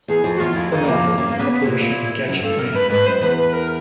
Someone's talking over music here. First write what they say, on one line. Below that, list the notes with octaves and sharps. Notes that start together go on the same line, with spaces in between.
Her novel Operation Gadgetman!
E2 G#4
F2
F#4
E2 F4
F2 E4
F2 D#4
F2 A#3
F#2 A#3
G2 A#3
C#3 B3
B3
A#2 E4
A#2
F#2
G2 A4
F#2 A#4
G2 B4
G#2 B4
F#2 C5
E2 B4
B4
A#4